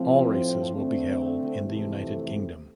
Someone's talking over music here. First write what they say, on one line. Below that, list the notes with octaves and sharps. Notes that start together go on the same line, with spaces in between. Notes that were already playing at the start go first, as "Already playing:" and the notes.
All races will be held in the United Kingdom.
Already playing: A2 F3 C4
D3 A3 C4
F2 C3 E3 A3